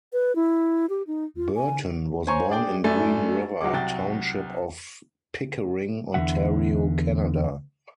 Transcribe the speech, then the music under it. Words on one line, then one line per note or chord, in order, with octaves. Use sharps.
Burton was born in Green River, township of Pickering, Ontario, Canada.
B4
E4
G4
D#4
F4
G#5
C5 C#5 G#5 A#5 C#6
D4 G#4 D5 G5
F#2 A3 D4 G#5 A6
C#2 F#3 F#4 G#4 D6
C2 F#3 F#4 G5 A6
E2 D3 G#3 E5 F#5